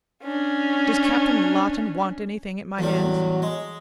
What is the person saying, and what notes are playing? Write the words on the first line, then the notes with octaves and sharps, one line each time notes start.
"Does Captain Lawton want anything at my hands?"
C#4 D4
E2 A2 F#3 G3
G#3